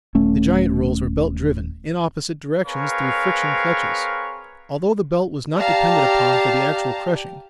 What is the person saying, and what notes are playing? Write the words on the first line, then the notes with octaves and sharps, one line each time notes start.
The giant rolls were belt-driven, in opposite directions, through friction clutches, although the belt was not depended upon for the actual crushing.
D#1 A3 C#4
C4 G#4 A#4 B4 C#5 F5
G4 D5 F5 A5 A#5